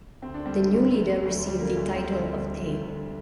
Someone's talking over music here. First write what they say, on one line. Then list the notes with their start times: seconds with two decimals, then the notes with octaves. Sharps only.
The new leader received the title of dey.
0.22 D2 C4
0.34 D4
0.40 D3
0.46 G3 C4
0.56 D2
0.74 D3
0.91 D2
1.08 D3
1.25 D2
1.42 D3 G3
1.60 D3 A#3
1.77 D2
1.94 D3 G3 C4
2.12 D2
2.29 D3
2.46 D3
2.64 D3
2.81 D2